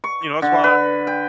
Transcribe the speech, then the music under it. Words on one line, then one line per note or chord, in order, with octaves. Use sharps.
You know, that's why
C#6
D3
B4
G5